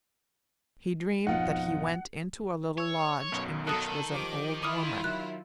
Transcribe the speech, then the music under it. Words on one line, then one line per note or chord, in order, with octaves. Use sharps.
He dreamed that he went into a little lodge in which was an old woman.
G#1 F2 B2 F3 D#4 F4 F#5
C#5 C#6 E6
B1 F#2 B2
D#3 A4 D#6 F#6
F3 G4 D6
E4 F4 D6 D#6 F6 D#7
D#3 F#3 F#6